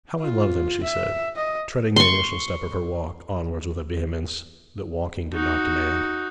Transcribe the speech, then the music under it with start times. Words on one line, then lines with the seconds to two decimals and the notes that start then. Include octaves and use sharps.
'How I love them!' she said, treading the initial step of her walk onwards with a vehemence that walking did not demand.
0.20 F4
0.83 E5
1.36 D#5
1.96 C6 C#6
5.33 D#4 F#4